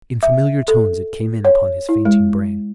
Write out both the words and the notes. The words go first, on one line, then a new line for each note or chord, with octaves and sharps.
In familiar tones it came in upon his fainting brain.
E5
A4
C#5
E4
G#3